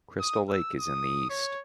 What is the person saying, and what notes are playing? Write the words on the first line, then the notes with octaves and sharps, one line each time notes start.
Crystal Lake is in the east.
D#6
E6
D#6
C#5